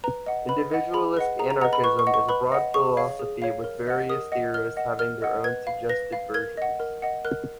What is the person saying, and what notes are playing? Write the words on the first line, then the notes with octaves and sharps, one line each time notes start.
Individualist anarchism is a broad philosophy with various theorists having their own suggested versions.
B4 A#5
D#5 F#5
B4 B5
D#5 F#5
G#4 B5
B4 D#5 F#5
G#4 A#5
A#5
B4 D#5 F#5 A#5
B5
B4 C#6
C#6
D#5 F#5
C#6
B4 B5
D#5 F#5
G#4 C#6
C#5 F5
G#4
C#5 F5
A#4
D#5 F#5
A#4 D#6
D#5 F#5
A#4 F6
D#5 F#5
A#4 F6
D#5 F#5
B4 G#6
F5
B4 A#6
F5
A#4 G#6
D#5 F#5
A#4
D#5 F#5
A#4 F#6